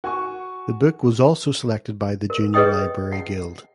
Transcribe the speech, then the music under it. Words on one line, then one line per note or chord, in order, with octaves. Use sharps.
The book was also selected by the Junior Library Guild.
F#4 G#5 C#6
A#4
G#4 B4 C#5 D#5 G5 D#6
F#5